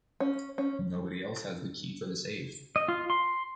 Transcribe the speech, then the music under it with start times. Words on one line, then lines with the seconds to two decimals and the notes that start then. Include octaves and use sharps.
Nobody else has the key for the safe.
0.20 C#4
0.58 C#4
2.76 D#5
2.88 F4
3.10 C6